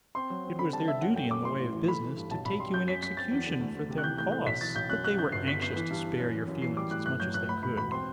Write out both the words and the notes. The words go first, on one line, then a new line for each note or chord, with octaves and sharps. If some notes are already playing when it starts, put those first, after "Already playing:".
It was their duty in the way of business, to take you in execution for them costs; but they were anxious to spare your feelings as much as they could.
C4 C6
F#3
C4
D3 B5
G3 A5
G3 E5
F#2 F#5
A3 G5
F#2 D6
A2 C6
A1
E3
A3 B5
E3
G2
B1 A5
B1 B5
G3 C6
F#2 G6
F#2 B6
F#2 B6
C4 A6
E2
D3
D2
D2
C3
F#6
E3 G6
A2 G6
A3 G6
B1 B6
E3 A6
B1 G6
F#2 F#6
F#2 F#6
D3 G6
G1 C7
B3 B6
B3 C7
E3
G2
E3
F#2
E3
F#2
E3 C7
G3 D6
A2 F#6
G1 F#6
F#3 G6
G1 F#6
D2 B5
E1 B5
E1 B5
C4 C6